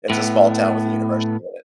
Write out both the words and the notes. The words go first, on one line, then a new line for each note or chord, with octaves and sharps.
It's a small town with a university in it.
A2 B3